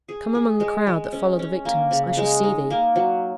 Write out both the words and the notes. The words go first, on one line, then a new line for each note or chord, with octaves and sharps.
Come among the crowd that follow the victims,--I shall see thee.
G#4
G#4
G#3
G#3
C#4
C#4
A#3
C#3
G#3
D#4
A#3
F#3